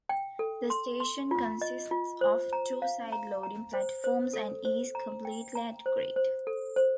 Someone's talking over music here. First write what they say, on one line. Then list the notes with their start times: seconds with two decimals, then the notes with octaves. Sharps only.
The station consists of two side-loading platforms and is completely at grade.
0.09 G5
0.39 A4
0.70 C6
1.00 C6
1.31 F4
1.61 D#5
1.91 F4
2.21 C5
2.53 A#5
2.82 F5
3.12 A#5
3.43 A#5
3.74 C5
4.04 C5
4.33 A4
4.65 C5
4.95 A#5
5.25 G5
5.55 A#5
5.86 C5
6.16 C5
6.47 A4
6.76 C5